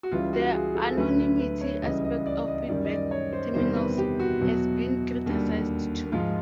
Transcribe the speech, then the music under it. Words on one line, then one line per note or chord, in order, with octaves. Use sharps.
The anonymity aspect of feedback terminals has been criticized too.
F#4
C#2 C#3 E3 G3 F4
F#4
G#4
A4
D2 D3 F#3 B4
B4
B4
C#5
C#2 C#3 E3 G3 D#5
D#5
D5
D#5
D#5
F#2 D#3 G3 D5
D#5
D5
C#5
C5
E2 C3 D#3 G3 C5
B4
G4
F#4
E2 B2 F#3
D#2 D3 G3
G#2 F3 G#3 F4